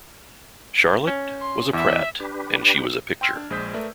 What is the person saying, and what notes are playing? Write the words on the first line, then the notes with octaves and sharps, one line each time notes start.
Charlotte... was a Pratt; and she was a picture.
C#4
C6
E2 E5
D4 G4 B4
G5 C6 E6 F6 G#6
D4
A#1 G#3 C5 D#6 G6 B6
A3 A#4 B4 D5 E5